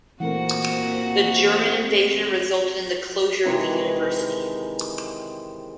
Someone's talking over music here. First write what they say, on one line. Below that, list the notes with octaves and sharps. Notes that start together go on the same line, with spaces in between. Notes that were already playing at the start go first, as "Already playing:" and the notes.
The German invasion resulted in the closure of the university.
A#2 E3 A3 C4 F#4 A#4 F#5
C3 D#3 E3 G#3